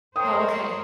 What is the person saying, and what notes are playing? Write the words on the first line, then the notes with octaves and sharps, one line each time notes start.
Oh, okay.
A#4 C5 C#5 G5 D#6